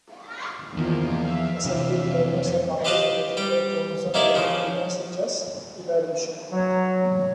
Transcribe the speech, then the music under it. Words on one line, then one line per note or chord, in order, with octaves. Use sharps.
Acentric fragments are commonly generated by chromosome-breaking events, such as irradiation.
E2 D#3 F3 A#3
E5 F5
F2 C3 E3
C4 G4 B4 D#5 F5 A5
G3 G5
D#3 A#3 E4 G4 D5
C#3 F3 C4
F#3